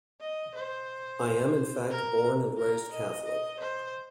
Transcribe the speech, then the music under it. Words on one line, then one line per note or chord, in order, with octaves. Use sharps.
I am in fact born and raised Catholic.
D#5
C5
A#4
A#4
D#5
D#5
C5